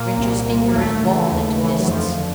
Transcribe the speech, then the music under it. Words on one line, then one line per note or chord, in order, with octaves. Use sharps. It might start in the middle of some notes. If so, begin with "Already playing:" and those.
Rynch's fingers balled into fists.
Already playing: A#2 A#3
C2
A#2
A#3
D#2 A3
C#3 E3
D#2
C#3 E3
F#3
F2 F3
D3